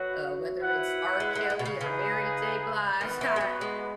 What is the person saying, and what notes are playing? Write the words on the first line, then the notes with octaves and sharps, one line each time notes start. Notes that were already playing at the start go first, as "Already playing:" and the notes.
uh, whether it's R. Kelly, or Mary J. Blige, I
Already playing: F#3 F#4 B4 F#5
E4 B4 F#5
G#3
G#3
G#3
B2
C#3
C#3 D#4 G#4 B4
D#3 B3 F#4 B4
E3
G#3
F#3
G#3